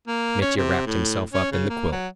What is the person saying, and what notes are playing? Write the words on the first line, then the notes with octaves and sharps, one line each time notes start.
Mitya wrapped himself up in the quilt.
A#3
C#4
C3
A2
C#4
C#3
A#3
F#3